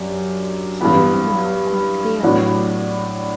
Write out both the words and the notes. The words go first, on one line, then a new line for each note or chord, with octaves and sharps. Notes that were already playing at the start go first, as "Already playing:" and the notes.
He knew now quite clearly.
Already playing: F#2 D4 G4
G2 E3 B3
A2 F#3 B3 D4 F#4